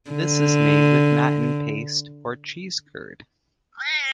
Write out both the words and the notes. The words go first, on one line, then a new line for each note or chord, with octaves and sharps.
This is made with "matten" paste or cheese curd.
D3